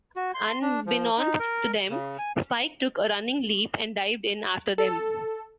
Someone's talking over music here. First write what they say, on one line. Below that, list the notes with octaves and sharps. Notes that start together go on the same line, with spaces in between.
Unbeknownst to them, Spike took a running leap and dived in after them.
F#4
C6
D4
F3
D#4
A#4
C#3
G#5
A4